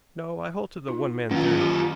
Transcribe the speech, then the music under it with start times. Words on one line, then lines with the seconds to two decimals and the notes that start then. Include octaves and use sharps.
"No, I hold to the one man theory."
0.88 D#4 F4
1.31 F#2 D#3 A#3 C#4 F4
1.61 G4